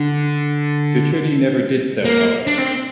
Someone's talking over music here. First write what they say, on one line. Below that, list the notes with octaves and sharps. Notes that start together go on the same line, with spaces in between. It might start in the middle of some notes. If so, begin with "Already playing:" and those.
Docherty never did so, however.
Already playing: D3
A#3
D4
C4